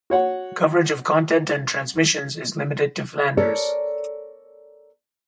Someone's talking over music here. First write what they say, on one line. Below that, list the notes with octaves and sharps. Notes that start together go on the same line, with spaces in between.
Coverage of content and transmissions is limited to Flanders.
F#4 C#5 F#5
A4 A#4 C#5 D5